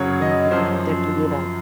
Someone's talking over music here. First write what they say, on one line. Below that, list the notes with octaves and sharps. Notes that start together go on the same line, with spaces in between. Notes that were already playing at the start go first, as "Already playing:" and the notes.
Mhm, that you do not
Already playing: F#2 C#3 F#3 C#5
D#5
F#2 F3 C5